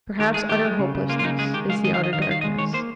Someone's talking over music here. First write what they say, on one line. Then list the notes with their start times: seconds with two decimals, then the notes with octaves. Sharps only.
Perhaps utter hopelessness is the outer darkness.
0.19 D#3 G4
0.34 G#3 G#4
0.49 D#3 G4
0.65 G#3
0.79 C#3
0.95 C#3
1.09 A#3 F4
1.19 F4
1.24 C#3 D#4
1.39 G#3 G#4
1.53 D#3 G4
1.69 G#3 F5
1.84 D#3 D#5
1.94 F5
1.98 D#3
2.04 D#5
2.13 D#3 F5
2.22 D#5
2.29 D#3 F5
2.41 D#5
2.44 G#3
2.59 D#3 C#5
2.73 A#3 C5